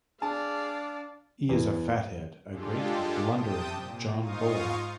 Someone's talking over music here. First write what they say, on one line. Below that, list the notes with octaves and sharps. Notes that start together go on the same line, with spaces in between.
He is a fathead—a great blundering John Bull.
D4 G#4 D5 F5 A5
E2
G#3 D4 F4 G4 A4
C3 G5 A5 D#6 G6
A#2
G#2 D#4 F4 F5 C#6 D#6